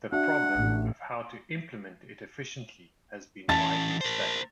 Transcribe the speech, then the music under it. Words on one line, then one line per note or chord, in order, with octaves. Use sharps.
The problem of how to implement it efficiently has been widely studied.
D4 F#4 E5 F#5
A1
E3 C#4 A5 A6
A#4 C5